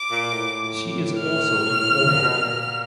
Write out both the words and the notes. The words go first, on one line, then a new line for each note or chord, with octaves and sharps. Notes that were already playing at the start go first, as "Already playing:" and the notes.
She is also an author.
Already playing: D6
A#2
A2
F6
A#2
B2
A#2